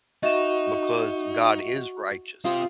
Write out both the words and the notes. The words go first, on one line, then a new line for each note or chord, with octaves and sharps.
because God is righteous.
D#4 F#4 D#5 E5 F#5 C#6 E7
C4 F4 G4 D#6